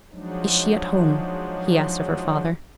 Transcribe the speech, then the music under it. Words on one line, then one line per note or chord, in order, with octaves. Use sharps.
Is she at home?' he asked of her father.
F3 F#3 G#3 D4 D#4